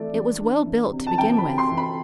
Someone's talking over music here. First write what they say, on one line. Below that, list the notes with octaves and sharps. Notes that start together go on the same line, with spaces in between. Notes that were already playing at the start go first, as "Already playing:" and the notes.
It was well built to begin with.
Already playing: E3 A3 D5
E3
D4
E3
C3
A5
E3 G5
A5
B5
C3
C6
E3
B5